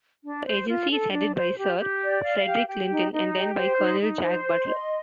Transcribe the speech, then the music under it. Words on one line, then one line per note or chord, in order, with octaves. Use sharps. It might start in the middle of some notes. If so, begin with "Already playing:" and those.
The agency is headed by Sir Frederick Clinton and then by Colonel Jack Butler.
D4
C5
F4
A4
D4
C5
G4
G4
D5
F5
G4
G4
D#4
D#4
G4
C5
D#4
D#4
C5
C6
D#5